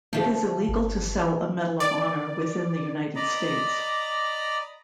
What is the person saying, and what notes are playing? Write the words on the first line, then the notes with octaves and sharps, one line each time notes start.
It is illegal to sell a Medal of Honor within the United States.
D3 F3 A3
G1
D5
D5 D#5 A#5 B5 D6